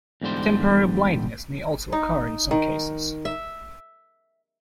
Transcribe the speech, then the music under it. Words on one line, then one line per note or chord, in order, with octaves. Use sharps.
Temporary blindness may also occur in some cases.
E2 G#2 D3 G3 C5
D#4
D#3
E5